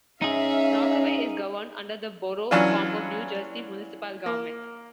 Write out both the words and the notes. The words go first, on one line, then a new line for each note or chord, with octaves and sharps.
Rockaway is governed under the Borough form of New Jersey municipal government.
C#4 D#4 G#4 E5 F5
E3 F#3 C#4 D4 F4
A#3